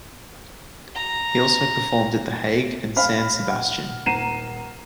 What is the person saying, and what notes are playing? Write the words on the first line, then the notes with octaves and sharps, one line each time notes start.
He also performed at The Hague and San Sebastian.
A#5
F5 B5 F6
F#5
D#1 F#5 A#5 C7 D#7 E7